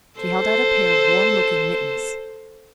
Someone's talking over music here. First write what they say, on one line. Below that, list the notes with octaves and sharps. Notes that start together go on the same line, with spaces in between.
She held out a pair of warm-looking mittens.
A4 C5